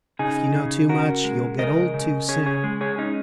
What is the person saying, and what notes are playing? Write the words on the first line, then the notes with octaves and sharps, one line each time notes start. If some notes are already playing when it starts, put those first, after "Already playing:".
"If you know too much, you'll get old too soon."
C#3 D#4 G#4
C#3
C#4 F#4 A#4
G#3
C#3 A#4 D#5
C#3
C#4 G#4 C#5
G#4 C#5
G#3
G#4 C#5
C#4 D#4